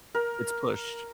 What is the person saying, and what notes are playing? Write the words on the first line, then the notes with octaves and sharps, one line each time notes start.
It's pushed.
A#4